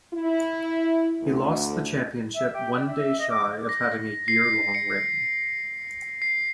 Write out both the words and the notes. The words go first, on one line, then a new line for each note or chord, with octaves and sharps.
He lost the championship one day shy of having a year-long reign.
E4
D2
E5
G4
D5
E5
D#5
D6
A#6
C7
C#7
C7